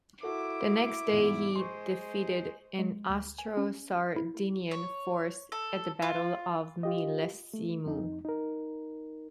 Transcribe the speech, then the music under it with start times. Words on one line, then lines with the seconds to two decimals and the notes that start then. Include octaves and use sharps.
The next day he defeated an Austro-Sardinian force at the Battle of Millesimo.
0.23 E4 F#4 A4 D6
1.10 E2 G#2
1.55 G#3 C5 C6 C#6
2.79 G#3
3.09 D2
3.38 G#5
3.57 C#4
4.16 E4
4.71 C#5
5.52 A4
6.02 F4
6.83 F4 G4 D#5
7.54 A3
7.86 F2 D#4
8.25 D#4 A#4